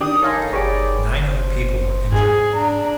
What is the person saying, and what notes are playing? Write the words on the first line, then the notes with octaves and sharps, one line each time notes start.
Nine other people were injured.
D#3 D4 G4 D#6
D#4 A4 C#5 F5 G#5 C6
G4 G#4 B4 C#5 D5
C5
G#2 G#4
D4 A#5